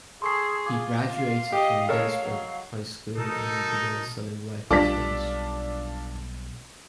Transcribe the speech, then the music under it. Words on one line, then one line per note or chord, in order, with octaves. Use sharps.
He graduated from Gettysburg High School and began selling life insurance.
G#4 A4 C6 C#6 C7
F4 D6
F5
G4 D#5
G#3 A4 A#4 C#5
F#3
B2 D#4 A4 A#4 A5
B1 G3 D4 F4 A4 D6 B6